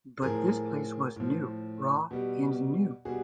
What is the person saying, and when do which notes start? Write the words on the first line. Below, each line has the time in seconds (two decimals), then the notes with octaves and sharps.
But this place was new, raw and new.
0.22 A2 F3 G#4 A#4
1.16 A2 F3
2.11 B2 G3
3.05 B2 G3 F#4 G#4